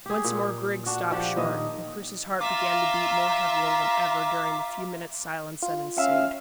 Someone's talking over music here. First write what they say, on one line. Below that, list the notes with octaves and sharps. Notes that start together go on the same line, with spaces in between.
Once more Griggs stopped short, and Chris's heart began to beat more heavily than ever during the few minutes' silence that ensued.
G4 G#4
A#2
D4 F#4
F3 D4 G4 F#5
A#2 D#3 D#5
F4 E5 A#5 D6
F4
C#4 E5 F5